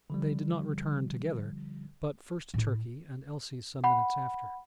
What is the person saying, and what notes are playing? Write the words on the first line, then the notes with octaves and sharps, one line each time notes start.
They did not return together, but first Turkey, and Elsie some minutes after.
D3 F3 G3
A2 E4
F#5 B5